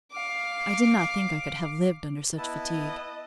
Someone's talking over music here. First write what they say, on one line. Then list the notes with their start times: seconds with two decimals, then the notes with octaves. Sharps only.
I did not think I could have lived under such fatigue.
0.11 F5 D6
2.38 B3 E4 D#5 A5